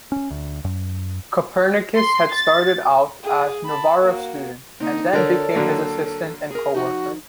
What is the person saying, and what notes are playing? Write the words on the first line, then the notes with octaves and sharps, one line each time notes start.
Copernicus had started out as Novara's student and then became his assistant and co-worker.
C#4
D2
F#2
C6
A6
G#4
A5 B5
A#3 F#4
D3 A#3 C4 D#4
D3 A4 A#4 C#5 D5
D3 F#3 A#3
G#4 A#4
F3 D#4 F#4